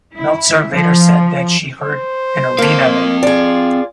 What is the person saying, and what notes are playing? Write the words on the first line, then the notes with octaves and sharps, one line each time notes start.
Meltzer later said that she heard "an arena band".
E4
F3
C5
A#3 C4 A4 F5
F4 G#4 D5